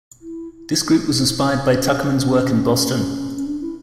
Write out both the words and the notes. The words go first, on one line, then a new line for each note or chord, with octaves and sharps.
This group was inspired by Tuckerman's work in Boston.
E4
C#4
C#4
D4
E4